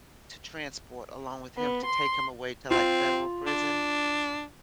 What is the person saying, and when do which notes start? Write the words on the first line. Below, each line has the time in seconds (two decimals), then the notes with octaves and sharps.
to transport along with him to take him away to, like, federal prison.
1.56 B3
1.85 C6
2.71 C4 F4
3.47 D4